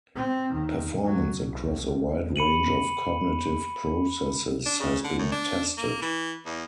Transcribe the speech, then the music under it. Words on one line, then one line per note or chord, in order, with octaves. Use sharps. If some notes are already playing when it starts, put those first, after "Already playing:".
Performance across a wide range of cognitive processes has been tested.
C4
D#2 D#3
F#3
C2
B5 C#7 D#7 F#7
D4
C#3
D3
F#2
D4
A#3
E3
E2